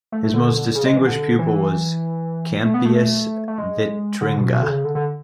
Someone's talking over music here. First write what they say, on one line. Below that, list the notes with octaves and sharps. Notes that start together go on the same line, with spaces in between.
His most distinguished pupil was Campeius Vitringa.
A3
A3
D3
C#3
G#3
E3
D3
E3
A3
B3
A3
A3
A3
G#3
D3
B2
B2
D3
C#3
D3
D3